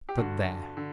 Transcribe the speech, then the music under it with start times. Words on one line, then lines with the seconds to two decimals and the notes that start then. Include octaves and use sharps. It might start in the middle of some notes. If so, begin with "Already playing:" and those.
But there!
0.09 G4
0.17 G2 D3 F#4
0.77 D3